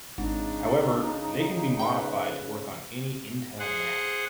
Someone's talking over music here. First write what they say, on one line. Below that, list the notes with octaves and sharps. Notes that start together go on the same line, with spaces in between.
However, they can be modified to work on any Intel Mac.
G#1 C#3 D4 D#4
B4 G5
G#4 C5 F#5